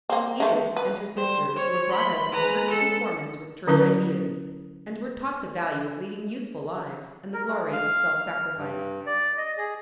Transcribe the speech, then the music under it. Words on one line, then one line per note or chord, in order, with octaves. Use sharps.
Edith and her sister were brought up in strict conformance with church ideas and were taught the value of leading useful lives and the glory of self-sacrifice.
A#3 C4
G#3 A3
B4
G3 C5
C5 C#5
B5 C6
G#3 B4 A#5
A4 C#7
D3 F#3 C#4 E4 A#4 B4
A#4
G#3
F5
F6
G2
D5
D#5
G#4